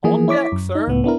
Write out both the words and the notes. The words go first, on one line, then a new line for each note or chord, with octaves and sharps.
"On deck, sir."
E3 F3 A#3 G#4
E4 C#5 D6 B6
F#2
D#4
C#2 A2 B3
B3 D4 E4 A#4